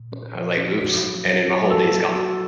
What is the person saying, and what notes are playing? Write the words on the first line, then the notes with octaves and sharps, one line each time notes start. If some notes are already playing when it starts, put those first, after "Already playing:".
like I was like, "Oops." And then my whole day's gone.
Already playing: A#2
C#4
F3
C#4
F#4
F#3
F#3
F#4
F#4 A4
A#3
F#4